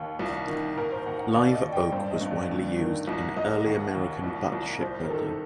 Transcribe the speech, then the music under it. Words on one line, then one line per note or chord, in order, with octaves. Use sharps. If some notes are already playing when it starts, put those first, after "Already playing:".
Live oak was widely used in early American butt shipbuilding.
Already playing: D#2
C2
D#3
D#2 A#4
C5
D#2 F#5
F#5
D#2 D5
D#5
D#2
G5
G2 C5
D5
D#5
G2
D5
D2
D#3
C2
C2 D#5
D#2 F#5
D#2
C2
C2
C2 C5
A#4
D#3 A4